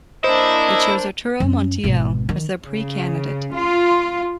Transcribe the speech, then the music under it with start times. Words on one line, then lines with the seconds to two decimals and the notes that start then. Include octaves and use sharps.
They chose Arturo Montiel as their pre-candidate.
0.24 A#3 D4 E4 C5 D#5
1.40 F#2 C#4
1.84 G#1 B2
2.29 D#3
2.68 C#3
3.55 F4